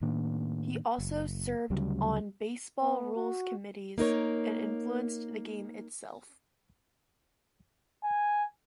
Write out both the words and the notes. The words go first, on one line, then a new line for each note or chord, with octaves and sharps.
He also served on baseball rules committees and influenced the game itself.
A2 D#3 A#3 D4
F#1
D2 C#3 F#3 G3
B3
F#4
A#3 D#4 A#4 C#5
G#5